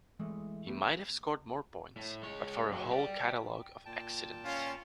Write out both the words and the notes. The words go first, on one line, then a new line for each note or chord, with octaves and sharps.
He might have scored more points but for a whole catalogue of accidents.
E3 G#3 A3
A3 B3 G4
A2
G#3 C#5
F#3 G#3
G4 D5
A#2 G5 A5
C#4 F4